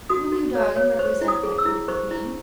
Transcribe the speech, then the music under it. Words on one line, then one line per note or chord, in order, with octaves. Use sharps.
"Will you, darling, represent that group with me?"
F#4 D#6
F#4
C#5
C#5
C5 C#6
E4
D#6
G#4
E6
E4
C5 C#6
E4